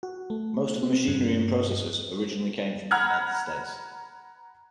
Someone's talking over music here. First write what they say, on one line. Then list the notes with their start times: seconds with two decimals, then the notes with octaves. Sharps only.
Most of the machinery and processes originally came from the United States.
0.03 F#4
0.30 A3
0.83 C4
1.08 G2
2.91 F#5 A#5 B5 F6 F#6 G#6